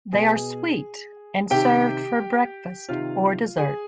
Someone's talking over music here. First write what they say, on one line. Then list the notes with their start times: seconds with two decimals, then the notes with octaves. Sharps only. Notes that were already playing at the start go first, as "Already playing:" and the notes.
They are sweet and served for breakfast or dessert.
0.13 B2 G#4 G#5
1.50 C3 D#3 G4 G5
2.89 C3 D#3 F4 F5
3.57 G#4 G#5